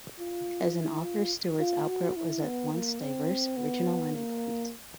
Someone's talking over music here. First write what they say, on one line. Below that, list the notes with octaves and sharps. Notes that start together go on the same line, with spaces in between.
As an author, Stewart's output was at once diverse, original, and important.
F4
E4
F4
F4
F#4
E4
B3
A#3
C4
B3
A#3